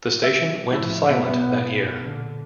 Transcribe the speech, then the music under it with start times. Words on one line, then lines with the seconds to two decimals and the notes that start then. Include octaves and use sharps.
The station went silent that year.
0.23 E5
0.73 A2 F3 E4
1.09 B1 B3 E5
2.02 A#2 D3